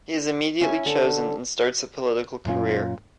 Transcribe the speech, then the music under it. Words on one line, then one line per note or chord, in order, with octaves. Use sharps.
He is immediately chosen and starts a political career.
C#4 E4 G#5
D3 A4
F#2 A#2 C#4 F4